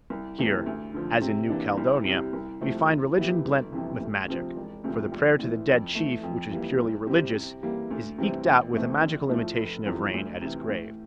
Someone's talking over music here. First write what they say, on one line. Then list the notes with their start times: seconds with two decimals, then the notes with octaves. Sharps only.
Here, as in New Caledonia, we find religion blent with magic, for the prayer to the dead chief, which is purely religious, is eked out with a magical imitation of rain at his grave.
0.10 C2
0.38 C3 E3 A3
0.66 D2
0.94 D3 F3
1.21 C3
1.49 E3 A#3 D4
1.78 C2
2.05 C3 G3
2.33 C2
2.61 C3 F3 A3 C4
2.89 E2
3.16 E3 A#3 E4 G4
3.45 G1
3.72 F2 C3 E3
4.01 D2
4.28 C3 F3 C4
4.56 E1
4.84 D2 C3 F3
5.12 A#1
5.39 A2 E3
5.68 F2
5.95 E3 A3
6.23 F2
6.51 E3 G3 A#3
6.79 C2
7.07 C3 G3 C4 G4
7.35 C3
7.63 E3 G3 A#3
7.91 D2
8.18 C3 E3 G3 C4
8.46 A1
8.73 A2 E3 A3 C4
9.02 A#1
9.29 A2 F3 A3
9.57 F1
9.85 E2 C3 F3
10.14 D2
10.41 C3 E3
10.69 A2